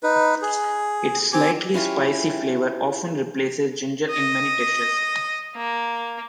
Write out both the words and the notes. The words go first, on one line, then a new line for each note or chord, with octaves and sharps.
It’s slightly spicy flavor often replaces ginger in many dishes.
D#4 B4
G#4
C4 G4 G#5 D6
C#4 E4 F4 G4
D#5
A#3